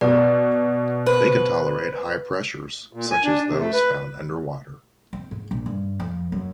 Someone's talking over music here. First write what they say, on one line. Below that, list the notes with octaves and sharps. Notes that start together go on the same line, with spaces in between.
They can tolerate high pressures, such as those found under water.
B2 D5
B4 C5
A#2
G#5
D4
C3
A3
B4
C4
G#2
A#1
G2
F2
F#2